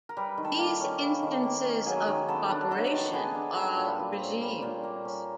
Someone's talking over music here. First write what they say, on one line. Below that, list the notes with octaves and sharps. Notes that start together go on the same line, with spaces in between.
These instances of cooperation are regimes.
A#4
G3 B4
D#3
A4
A#3
C#4
G3
D#3
A#3
C#4
F#3 G#4
D#3
B3 A4
D4
F#3 A4
D#3
B3 G#4
D4
G3 A4
A#2
B4
A#3
C5
C#4
G3
A#2
A#3
C#4